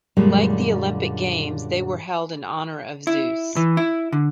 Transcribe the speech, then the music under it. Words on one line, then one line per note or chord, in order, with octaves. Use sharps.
Like the Olympic Games, they were held in honour of Zeus.
F#2 A#2 D3 G3 G#3
E4
E3
E4
D3